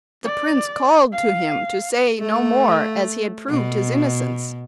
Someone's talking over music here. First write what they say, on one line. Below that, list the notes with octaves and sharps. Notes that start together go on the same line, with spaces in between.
The prince called to him to say no more as he had proved his innocence.
D5
F5
A3
B2